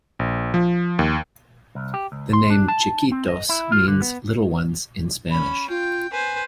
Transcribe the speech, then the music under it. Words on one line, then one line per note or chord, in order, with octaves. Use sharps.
The name Chiquitos means "little ones" in Spanish.
A#1
F3
D#2
C2
G4
C#2
C6
D4
A5
C4
D#5
E4
F4
D3
B3
C#4 B5
F4 G5
B4 C5 G#5